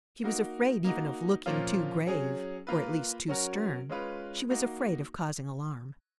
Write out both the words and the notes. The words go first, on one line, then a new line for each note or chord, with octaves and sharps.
She was afraid even of looking too grave, or at least too stern; she was afraid of causing alarm.
A#3 D#4 F#4 A#4
A#3 D#4 F#4
A#2 F3 A#3 C#4 F4
F#3 C#4 G#4
A#3 F4 B4
F#3 C#4 F#4 A#4
G#3 C#4 F4 B4
A#3 D#4 F#4